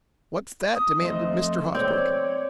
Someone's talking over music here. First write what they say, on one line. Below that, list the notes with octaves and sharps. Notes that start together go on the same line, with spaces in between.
"What's that?" demanded Mr. Hosbrook.
D#6
F2 A3 C5 D#5
C4 C#5 D5